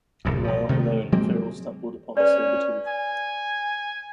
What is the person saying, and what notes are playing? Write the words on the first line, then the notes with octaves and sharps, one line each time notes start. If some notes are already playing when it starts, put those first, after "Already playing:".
While alone, Feral stumbled upon Sabretooth.
D1 C2 F#2
B2 F3
C3 D#3 F#3 A3
F#3 G#3 A#3 C4
C#4 B4 D5
G#5